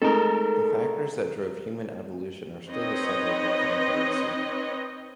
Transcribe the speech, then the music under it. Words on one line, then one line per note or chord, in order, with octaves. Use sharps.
The factors that drove human evolution are still the subject of controversy.
G#3 A3 D#4 A4 A#4
C4 D#4 B4 C#5 D#5